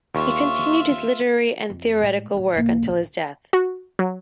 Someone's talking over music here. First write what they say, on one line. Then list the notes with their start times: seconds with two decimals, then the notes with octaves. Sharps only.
He continued his literary and theoretical work until his death.
0.15 D#2 F4 E5 C#6
1.70 F2
2.01 A2 G#3
2.34 D#2 A2
2.53 B1 A#3
2.82 A1 D2
3.53 F#4
3.99 F#3